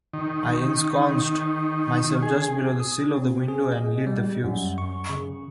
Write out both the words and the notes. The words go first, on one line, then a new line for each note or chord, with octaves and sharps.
I ensconced myself just below the sill of the window, and lit the fuse.
D#3
G#4
D#6
C4
G#4
D#5
G3
F#2
C#6
C#3